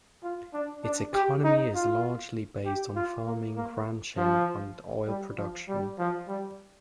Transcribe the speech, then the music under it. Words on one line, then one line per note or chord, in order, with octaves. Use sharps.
Its economy is largely based on farming, ranching and oil production.
F4
D4
D4
G4
D#4
F4
G4
F4
A#3
A#3
F3
G3
F3
G3
F3
G3